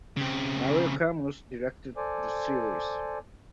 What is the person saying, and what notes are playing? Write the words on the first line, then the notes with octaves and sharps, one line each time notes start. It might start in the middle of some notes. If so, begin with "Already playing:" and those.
Mario Camus directed the series.
C#3 C4
A4 C5 D5 G#5 D6